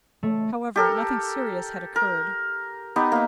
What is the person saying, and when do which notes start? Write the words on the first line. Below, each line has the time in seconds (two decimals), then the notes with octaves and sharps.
However, nothing serious had occurred.
0.23 A3
0.76 G4 A4 A#4
1.96 A#4
2.96 B3 D#4 G4
3.12 A#3 E5